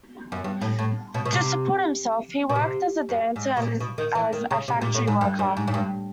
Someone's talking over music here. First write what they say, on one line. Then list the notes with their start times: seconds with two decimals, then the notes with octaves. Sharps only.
To support himself, he worked as a dancer and as a factory worker.
0.32 F#2
0.44 G2
0.61 A2
0.79 A2
1.14 B2
1.25 B2
1.33 C3
2.49 B2
2.56 C3
3.09 F#2
3.36 G#2
3.57 B2
3.62 A#2
3.80 B2
3.98 D#3
4.15 E3
4.33 D#3
4.51 C#3
4.68 C3
4.81 A#2
4.94 A2
5.07 G#2
5.21 G2
5.39 G2
5.57 G#2
5.67 G#2
5.74 G2